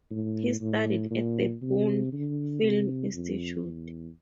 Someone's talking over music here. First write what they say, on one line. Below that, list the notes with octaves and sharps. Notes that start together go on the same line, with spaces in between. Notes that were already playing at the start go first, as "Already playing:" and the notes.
He studied at the Pune Film Institute.
A2
A2
A#2
C3
D3
C3
F2
E2